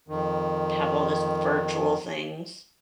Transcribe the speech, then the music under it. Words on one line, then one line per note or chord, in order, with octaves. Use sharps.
have all this virtual things.
F2 D#3